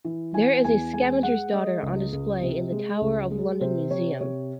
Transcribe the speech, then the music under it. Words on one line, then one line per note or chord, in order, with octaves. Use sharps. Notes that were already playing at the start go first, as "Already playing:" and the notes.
There is a Scavenger's daughter on display in the Tower of London museum.
E3
E3 G#5
E2 G#5
G#3 G#5
G#3 F#5
G#3 D#5
C#2
C#2
C3
G#3
C#2
G#3
C3 C5
C3 C#5
C3 C#5